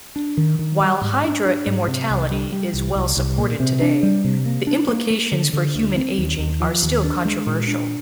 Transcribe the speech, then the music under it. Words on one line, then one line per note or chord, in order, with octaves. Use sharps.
While "Hydra" immortality is well-supported today, the implications for human aging are still controversial.
D4
D#3
D#3
G3
G#2
D4
D4
G#2
C3
C2
G3
G3
C2
C2
C2
A#2
C3
D4
G3
C3
A#3
D4
A#3
A#3
D3
D3
D2
C4
D#2
D#2
F3
D#2
D4
G#3
A#2
D4